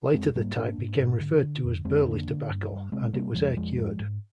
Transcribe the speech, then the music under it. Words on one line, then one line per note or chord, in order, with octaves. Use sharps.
Later the type became referred to as burley tobacco, and it was air-cured.
F2 G#3 C4
G#2 G3 A#3
G#2 A#3 D4
G#2
G#2
D3
D3
F2
F2 G#3 C4
C4
D3 A#3 D4
D3
G2
G2
C3 G#3 C4
C3 G3 A#3
F2 F3 G#3
F2 F3 G#3
G#2
G#2